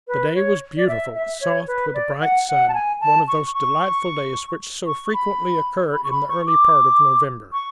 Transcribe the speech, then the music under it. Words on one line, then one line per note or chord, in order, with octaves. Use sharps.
The day was beautiful, soft, with a bright sun, one of those delightful days which so frequently occur in the early part of November.
B4
C#5
D5
E5
E5
C#5
B4
D5
F#5
F#5
A5
G#5
A5
C#6
C#6
C#6
B5
B5
C#6
B5
C#6
D6
C#6